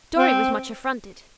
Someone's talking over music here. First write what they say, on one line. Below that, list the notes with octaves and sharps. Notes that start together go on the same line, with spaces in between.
Dorry was much affronted.
C4